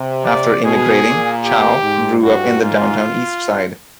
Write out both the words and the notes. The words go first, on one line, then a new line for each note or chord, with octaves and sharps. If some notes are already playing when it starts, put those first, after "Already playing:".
After immigrating, Chow grew up in the Downtown Eastside.
Already playing: C3
D5
B2 G#4
A#2
G4
G#2
G2 F#4
G#2 F4